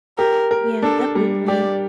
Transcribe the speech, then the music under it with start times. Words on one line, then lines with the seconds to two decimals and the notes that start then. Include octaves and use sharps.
Yeah, definitely.
0.18 G4 A#4
0.51 A#4
0.82 D4 A4
1.15 G3
1.48 G4 D5